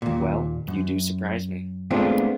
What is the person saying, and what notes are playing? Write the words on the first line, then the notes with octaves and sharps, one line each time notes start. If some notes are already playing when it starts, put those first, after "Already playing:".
Well, you do surprise me!
D#2 A#2
F#2
G#3 A3 B3 C4 D4 F4